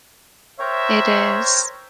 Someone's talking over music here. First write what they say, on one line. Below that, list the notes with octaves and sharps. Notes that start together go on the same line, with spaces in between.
It is.
A#4 C5 C#5 E5 G5 A#5